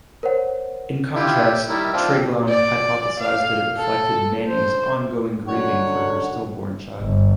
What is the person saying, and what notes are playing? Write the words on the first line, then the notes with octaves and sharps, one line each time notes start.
In contrast, Treglown hypothesised that it reflected Manning's ongoing grieving for her stillborn child.
A#4 C5 C#5 F#5
E4 F4 G4
D#3 G3 E4
C4 D4 F4
D5
F5
A4
C5
F#2 D3 C#5 F#5
G1